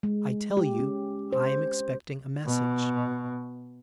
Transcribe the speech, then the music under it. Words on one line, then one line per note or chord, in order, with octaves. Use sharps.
I tell you, I am expecting a message.
G#3
G4
C#4
C5
B2